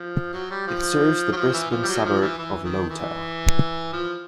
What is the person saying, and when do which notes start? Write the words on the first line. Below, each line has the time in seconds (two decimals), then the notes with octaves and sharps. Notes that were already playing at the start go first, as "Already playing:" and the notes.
It serves the Brisbane suburb of Lota.
Already playing: F3
0.33 F#3
0.50 G3
0.67 F3
1.32 F#3
1.36 F3
1.53 E3
1.70 F3
1.83 G3
1.87 F#3
2.05 F3
2.21 E3
2.38 E3
2.64 D#3
2.89 E3
3.93 F3